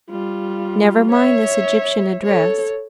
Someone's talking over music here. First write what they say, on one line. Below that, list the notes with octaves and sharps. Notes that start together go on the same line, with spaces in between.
Never mind this Egyptian address.
G3 F4
C#5 E5
A4 C#5